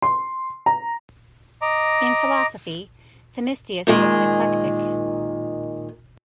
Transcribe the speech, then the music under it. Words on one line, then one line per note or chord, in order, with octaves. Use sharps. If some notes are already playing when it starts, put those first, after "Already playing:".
In philosophy Themistius was an eclectic.
C6
A#5
D#5 A#5 D6
A#2 D#3 G#3